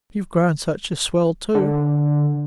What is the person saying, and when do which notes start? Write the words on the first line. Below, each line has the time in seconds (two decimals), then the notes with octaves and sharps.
You've grown such a swell, too.
1.55 D3